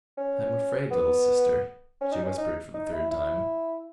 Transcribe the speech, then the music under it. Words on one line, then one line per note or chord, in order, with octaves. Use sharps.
"I am afraid, little sister," she whispered for the third time.
C#4
B3
C#4
D#4
C#4
D#4
D#4
E4
E4